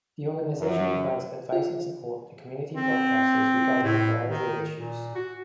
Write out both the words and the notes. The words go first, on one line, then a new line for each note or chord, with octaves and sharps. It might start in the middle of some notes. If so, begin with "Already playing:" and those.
The organisation provides advice and support to community broadcasters regarding a variety of issues.
F#2
F4
C4
A2
D#3
A#2
F#4